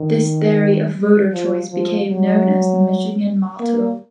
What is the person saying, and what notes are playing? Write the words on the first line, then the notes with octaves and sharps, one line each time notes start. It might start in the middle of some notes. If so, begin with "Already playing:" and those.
This theory of voter choice became known as the Michigan Model.
Already playing: D#3
F3
F3
F#3
A#3